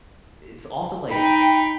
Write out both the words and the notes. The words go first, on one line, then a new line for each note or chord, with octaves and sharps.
it's also, like,
D#4 G5 B5